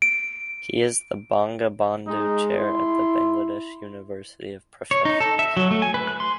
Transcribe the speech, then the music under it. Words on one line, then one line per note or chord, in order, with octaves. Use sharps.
He is the Bangabandhu Chair at the Bangladesh University of Professionals.
D7
G#3 D#4
E4 C6
C#5
D#4
A4
E5
F#3
A3
G#5
B4
F#6
C6